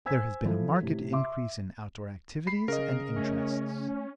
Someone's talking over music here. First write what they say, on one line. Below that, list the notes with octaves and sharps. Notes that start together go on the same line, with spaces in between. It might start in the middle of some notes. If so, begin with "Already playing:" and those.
There has been a marked increase in outdoor activities and interests.
C5 G#5 E6 G#6 B6
E3 F3 E4 A4
A2 C3
E5 C6 D6
B5 C7
C#3 A#4 D#5
A3 C#4